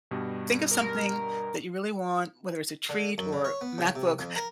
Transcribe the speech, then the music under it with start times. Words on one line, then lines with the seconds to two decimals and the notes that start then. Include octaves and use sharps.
Think of something that you really want, whether it's a treat or MacBook,
0.11 G2 B2 G3
0.71 A#4
2.89 D3
3.18 F#2
3.33 D3
3.44 C#5
3.61 B3
3.78 C#3
3.95 C3
4.19 F2
4.36 A#4